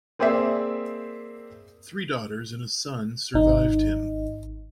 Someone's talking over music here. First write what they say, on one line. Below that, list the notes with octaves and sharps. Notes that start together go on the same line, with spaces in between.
Three daughters and a son survived him.
A#3 C4 G#4 C5 D5 E5
G#1 D#4